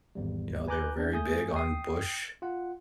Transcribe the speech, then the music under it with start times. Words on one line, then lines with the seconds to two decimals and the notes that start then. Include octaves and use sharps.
you know, they were very big on Bush.
0.15 G#1 E2 G3
0.68 B4 G#5 A#5 D6 F#6 G6
0.97 C4 D4
1.13 A3 G#5 D#6 G6
1.55 G5 D#6 C7
2.42 F4 F#5